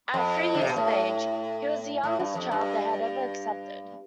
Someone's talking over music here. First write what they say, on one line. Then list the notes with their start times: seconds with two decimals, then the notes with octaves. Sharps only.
At three years of age, he was the youngest child they had ever accepted.
0.14 F2
0.54 D3
0.61 C3
0.70 B2
0.76 A2
2.04 A2
2.19 G2
2.35 F2
2.51 G2